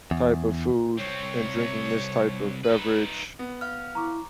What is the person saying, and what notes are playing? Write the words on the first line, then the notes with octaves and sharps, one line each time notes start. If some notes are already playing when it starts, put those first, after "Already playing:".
type of food and drinking this type of beverage
E2
C2 C4 C#5
D#4 B4
B3
F5 F6
E4 A#5 C#6 D6